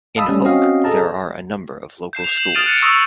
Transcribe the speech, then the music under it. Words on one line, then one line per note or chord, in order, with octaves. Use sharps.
In Hook, there are a number of local schools.
D#5 F5 A5 B5 D#6 E6
G3 A3 C#4
C4 C#4 F#4 D#5 F5
G#4 A4 D#5 A5 A#5
G6 C7 E7
C7 F7
E7 F#7
D#6 F6 A6 D7 D#7 F7
F#6 C#7 D7
C#6 D#6 E6 A#6 D#7